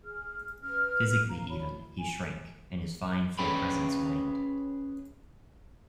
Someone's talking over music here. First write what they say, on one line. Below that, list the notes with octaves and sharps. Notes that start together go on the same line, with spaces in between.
Physically even, he shrank, and his fine full presence waned.
G#4 F6
C#4 B4 F6
F5 A#5
D4 F#4 C#5 B5
E4
F4 G#5
C#4 G#4 B4 C#5 G5 B5